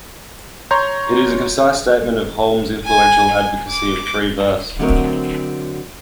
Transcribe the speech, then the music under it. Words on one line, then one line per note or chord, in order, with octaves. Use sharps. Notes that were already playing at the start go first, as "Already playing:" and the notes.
It is a concise statement of Hulme's influential advocacy of free verse.
C#5 A#5 C6 G6
G#5
D6
D3 F#3 A3 C4 A#4 D#5